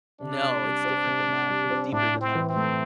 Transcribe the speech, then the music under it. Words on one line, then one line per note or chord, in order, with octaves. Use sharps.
No, it's different than that, it's deeper than that.
C3 D4
C3
G3
C4
C3
C3
G3
C4
A2 D4
E4
C4
E3
C4
A3